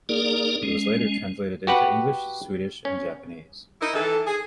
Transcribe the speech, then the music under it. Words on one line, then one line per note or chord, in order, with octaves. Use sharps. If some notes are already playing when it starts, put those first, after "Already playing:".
It was later translated into English, Swedish and Japanese.
A#3 D#4 G#4 A#4 D5
G#3 C#4
F#4 G4 B4 F#5
C#4
D#4 E4 A#4 D#5
D#3 E3 A4
G#4